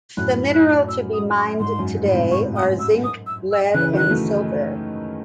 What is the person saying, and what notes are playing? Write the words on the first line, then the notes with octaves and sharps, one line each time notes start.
The mineral to be mined today are: zinc, lead and silver.
F#2 A2 F#6
F#6
E6
D#6
C#6
G#2 C6
F#2
G#2
A2
G#2 C3
C#6
D#6
E6
D#6
E6
E6
C#3 E3 F#6
D#3 F#3 F#6
F#3 A3